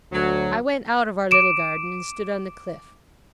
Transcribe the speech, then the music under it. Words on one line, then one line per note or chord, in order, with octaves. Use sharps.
I went out of our little garden, and stood on the cliff.
D2 F#3
D6 D7 E7